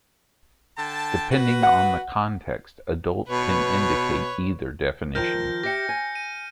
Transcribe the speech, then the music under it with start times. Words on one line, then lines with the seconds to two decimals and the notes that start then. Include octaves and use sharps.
Depending on the context, "adult" can indicate either definition.
0.76 D3 G5 A5
1.30 F#4 B4
1.63 F#5
3.28 B2 B4 C#5
5.15 D#3 F3 A#4 F6 G6 A#6
5.63 G4 E5 G5 A#6 C#7
5.89 G#5
6.15 D#7